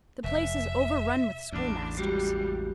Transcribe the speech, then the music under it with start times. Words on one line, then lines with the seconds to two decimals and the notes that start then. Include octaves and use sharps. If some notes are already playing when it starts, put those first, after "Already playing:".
The place is overrun with schoolmasters.
0.24 F1 E5
1.52 A1 E2 D4
1.97 G3 G#3 F#4 G4